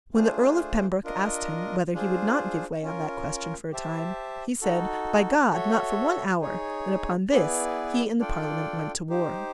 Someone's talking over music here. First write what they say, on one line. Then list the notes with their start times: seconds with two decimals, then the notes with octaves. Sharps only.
When the Earl of Pembroke asked him whether he would not give way on that question for a time, he said, 'By God! not for one hour!' and upon this he and the Parliament went to war.
0.14 A3 D4 F4 G#4 C5
1.04 D4 F4 A#4 D#5
1.93 D4 F4 G#4 C5
2.82 C#4 F4 A#4
3.72 G4 C5 E5 A5
4.61 D#4 F#4 A4
5.52 F#4 A4 C#5 E5
6.41 D#4 G#4 C#5
7.31 B3 E4 G#4 B4 D5
8.20 D4 F4 A4 D5 G5
9.10 D#4 G4 C5